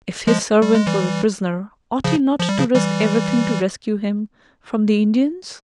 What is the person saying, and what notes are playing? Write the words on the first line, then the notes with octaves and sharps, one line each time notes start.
If his servant was a prisoner, ought he not to risk everything to rescue him from the Indians?
F3 G#3
G3
G#3
E3 G3
C#3 F3
F3
G3
C#3 F3
E3 G3